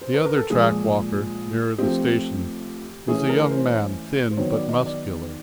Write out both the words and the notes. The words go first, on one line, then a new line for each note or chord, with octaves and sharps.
The other track-walker, nearer the station, was a young man, thin, but muscular.
C5
B4
A#4
A4
A#2 F3 G#3 G#4
F3 A3 C4 G4
E3 A3 C#4 G#4
A#4
C5
C5
D#3 F#3 B3 C#5
D5
D#5
D5